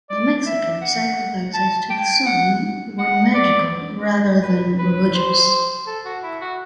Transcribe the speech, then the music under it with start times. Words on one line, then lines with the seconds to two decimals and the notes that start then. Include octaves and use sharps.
The Mexican sacrifices to the sun were magical rather than religious.
0.10 D5
0.46 E5
0.82 F#5
1.54 A5
1.90 G5
2.26 F#5
2.99 F#5
3.34 D5
4.43 B4
4.79 B4
5.15 C5
5.87 A4
6.05 F#4
6.23 E4
6.41 F#4